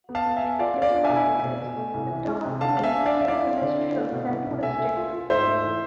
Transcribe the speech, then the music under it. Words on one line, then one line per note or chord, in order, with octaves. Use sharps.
Despite this, the town remains more industrial than touristic.
B3
F5 A5
B3
E5 G#5
B3
F4 D5 F5
B3
D5 F5
D4
E5 G#5
B2
A3
B2
B2
A3
C2
E3
G#3
C3
D3 F5 A5
G#3 F5
E5 G#5
D4
D5 F5
D4
E5
E4 D5 F5
C4
D3
E4
A3
B2
C2
C2
A3 E5 G#5
A3
F4
F4
G#2 C5 E5
A3
E3